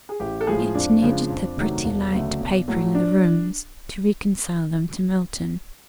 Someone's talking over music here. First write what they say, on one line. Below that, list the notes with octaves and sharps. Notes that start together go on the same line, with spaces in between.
It needed the pretty light papering of the rooms to reconcile them to Milton.
G#4
A1 G4
A4
A2 F3 G#3 G#4
F2 D4
C#3 F3 G#3
F2
C3 D#3 F#3 A3
E1
D2 C#3 F#3 A3
B1
A2 F#3 A3
D4